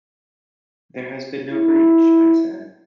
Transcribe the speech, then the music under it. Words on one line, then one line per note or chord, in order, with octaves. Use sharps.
"There has been no breach," I said.
E4